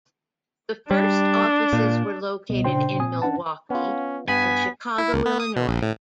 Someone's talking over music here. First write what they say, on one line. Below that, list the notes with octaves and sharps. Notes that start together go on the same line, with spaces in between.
The first offices were located in Milwaukee and Chicago, Illinois.
G3 D4
A#2
C#2 B2 G3 B3 D#5
A#2 C#3 D4 C5 G5 C6
A#2 C4 G#5 D#6
C#4 D4 F#5 A5
B3 C#4 F4
G2 B3 G#5 B6
E4
C#2
B3
D#6
B2
A#1
A2